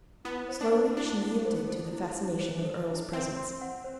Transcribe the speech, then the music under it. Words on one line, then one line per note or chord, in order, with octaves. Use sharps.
Slowly she yielded to the fascination of Earle's presence.
B3 E4
C5
D4
A4
D4 E4
E4
C5
A4
E4
E4
C5
A4
E4
C4 C5
C6
F#5
C5